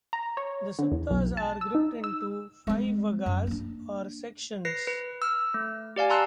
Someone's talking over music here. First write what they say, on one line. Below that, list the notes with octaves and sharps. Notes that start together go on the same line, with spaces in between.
The suttas are grouped into five vaggas, or sections.
A#5
C#5
D3
E2
B1
A5
E6
D#4
E6
G#3 C4
F#2
A#3 D4
B4 A#6 C7
B4
E6 F6
A3
G4 D5 F5 G#5
A5 A#5 C6 E6 F#6